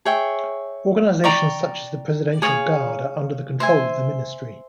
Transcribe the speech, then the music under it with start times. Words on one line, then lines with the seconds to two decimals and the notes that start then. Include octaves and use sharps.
Organizations such as the Presidential Guard are under the control of the Ministry.
0.05 G#4 C#5 E5 G5
1.24 D5 G5 A#5 C#6
2.42 G#4 C#5 F5
3.60 C5 E5 G#5